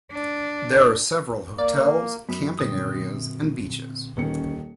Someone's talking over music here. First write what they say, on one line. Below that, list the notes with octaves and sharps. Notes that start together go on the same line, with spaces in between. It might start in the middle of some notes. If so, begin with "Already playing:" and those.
There are several hotels, camping areas and beaches.
D4
A#3 D5
F#2 B5 D#6 B6
A#2 D3 C4 G5 D#6
D#1 D#3 C#4 C#7